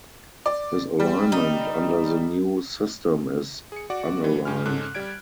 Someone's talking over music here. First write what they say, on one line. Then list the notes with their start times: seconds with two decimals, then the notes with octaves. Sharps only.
His alignment under the new system is Unaligned.
0.46 D5
0.99 G3
1.32 D#4
3.72 G#4 C#7
3.90 F#4 D5 F#5 D6
4.22 E3 G3
4.45 G2 G4 G#5 F6
4.66 G#2 C#4 A4 F#6
4.95 G3 G4 D5 G#6 D7